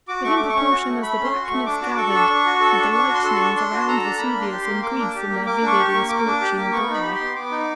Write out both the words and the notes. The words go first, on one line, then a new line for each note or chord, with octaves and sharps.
But in proportion as the blackness gathered, did the lightnings around Vesuvius increase in their vivid and scorching glare.
F#4 D6
A3 C#6
A3 D6
C#6
C#4
F#4
A3
A3 B5
C#4
C6
F#4
C#6
A3
D4 D6
F#4
A4 C#6
D4
D4
F#4
A4
D4
D4 C#6
F#4
C6
A4
D4 C#6
D4 C6
F#4
A4 A#5
D4
A#3 B5
D4
C6
G4
A#3 C6
A#3 D6
D4
G4
A#3
A#3 D6
D4
C#6
G4
C#6
A#3
A#3 D6
D4
G4
A#3
B3 C#6
D#4
B5
G4
C6
B3
B3 D6
D#4